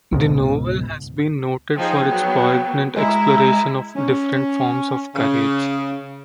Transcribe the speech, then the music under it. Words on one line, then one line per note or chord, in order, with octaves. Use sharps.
The novel has been noted for its poignant exploration of different forms of courage.
C#2 G#2 B2
F3 D#4 G#4 G5
F#3 B3
G#3 E4 A#5
C#4
C#3